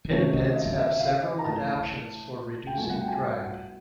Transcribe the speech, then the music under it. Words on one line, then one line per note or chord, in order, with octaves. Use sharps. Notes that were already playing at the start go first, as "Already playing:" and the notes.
Pinnipeds have several adaptions for reducing drag.
C3 D#3 F#3 A3 C#4 C#5
D#5
D#5
E5
D#5
E5
F5
D#5
A#5
A2 E3 A3 A5
G5
C2 B2 F#3 A3 G#5
F#5
G5
G#5
G5
F#5
F#5